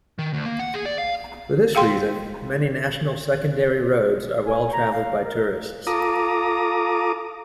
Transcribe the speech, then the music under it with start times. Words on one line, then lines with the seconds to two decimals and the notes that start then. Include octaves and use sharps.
For this reason, many national secondary roads are well-traveled by tourists.
0.19 D#3
0.33 D2
0.46 A#3
0.59 F#5
0.74 G#4
0.86 D5
0.98 F5
1.75 G#4 F5 G5 C6
4.46 G#5
4.73 A#5
4.93 F5
5.25 A#4
5.87 F4 A4 A#5 D6 D#6